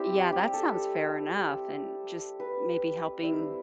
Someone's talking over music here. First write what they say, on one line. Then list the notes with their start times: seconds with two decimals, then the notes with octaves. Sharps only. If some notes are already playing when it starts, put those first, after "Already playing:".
Yeah, that sounds fair enough and just maybe helping
Already playing: G3 C4 E4 G4
0.32 G4
0.53 A4
2.40 B4
3.23 G3 C4 E4